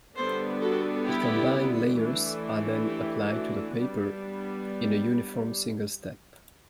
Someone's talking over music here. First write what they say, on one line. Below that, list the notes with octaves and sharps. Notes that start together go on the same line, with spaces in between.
The combined layers are then applied to the paper in a uniform single step.
D3 G3 B3 D4 A4 C5
F#4 A4
E4 G4
E3 A3 D4
E4 G4
D4 F#4
G3 B3 D4